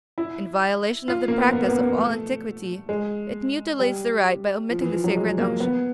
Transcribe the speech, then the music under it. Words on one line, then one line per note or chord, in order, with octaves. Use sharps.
In violation of the practice of all antiquity it mutilates the rite by omitting the sacred unction.
E4
F4
A#3
B3
B3
B3
A#3
A#3
A3
G#3
G3
F3
E3
F3
F#3
G#3
A#3
B3